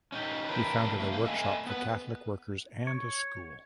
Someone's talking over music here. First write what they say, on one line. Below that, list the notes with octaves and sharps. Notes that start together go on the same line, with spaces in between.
He founded a workshop for Catholic workers and a school.
C#4 D#4 G4
C#3 D4 E4 G4 A#4 B4
A3 D4 E5 F5
A3 F5
A4 D#5 E5 G5 G#5
B3 B4
C#5